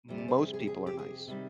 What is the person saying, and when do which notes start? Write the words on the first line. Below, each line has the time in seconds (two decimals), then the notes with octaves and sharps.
most people are nice,
0.08 F2 C3 G3
0.18 D5
0.28 C5
0.38 G#4
0.53 G#4
0.60 G4
0.67 G#4
0.87 G4
0.99 G#4
1.28 C3 D#3 G3